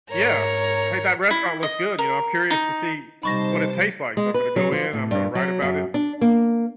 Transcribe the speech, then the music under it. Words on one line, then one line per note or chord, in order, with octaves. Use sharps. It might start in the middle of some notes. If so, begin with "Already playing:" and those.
Yeah, "Hey, that restaurant looks good," you know, "I'm curious to see what it tastes like, so I'm gonna go in, I'm gonna write about it.
G#2 A#4 C#5 A#5
E4
D#5
A#4
D#4
C3 G3 D#4 C5 A5 B5 C#6 A#6
G#3
B4
F#3
F3
A2
G2
F#3
F#2
D4
A#3